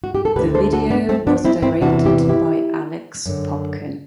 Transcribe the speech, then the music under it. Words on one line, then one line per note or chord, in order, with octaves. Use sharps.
The video was directed by Alex Popkin.
F#4
G4
A4
D2 D3 G4 B4
A4 C5
F#4 A4
B3 D4
A3 C4
B3 D4
C4 E4
C4 E4
E2 C3 E3 D4 F#4
E4 G4
E4 G4
F#2 D3